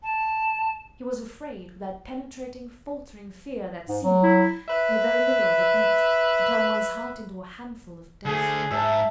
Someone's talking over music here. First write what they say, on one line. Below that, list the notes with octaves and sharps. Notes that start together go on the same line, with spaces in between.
He was afraid with that penetrating faltering fear that seems, in the very middle of a beat, to turn one's heart into a handful of dust.
A5
G#2
F#3
E4
B4 E5
D3 A3 G#4
G#2 E5 A5